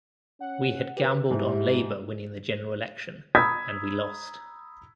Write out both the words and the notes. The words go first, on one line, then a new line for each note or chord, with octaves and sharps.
We had gambled on Labour winning the General Election and we lost.
C#4 F#5
G4 B4
G#2 E4
A#5 B5 D#6 E6 G#6 B6